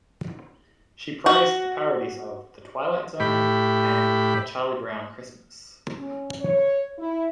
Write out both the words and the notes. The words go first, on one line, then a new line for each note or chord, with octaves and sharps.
She praised the parodies of "The Twilight Zone" and "A Charlie Brown Christmas".
F#4
A2 G4 B5
C#4
C#5
E4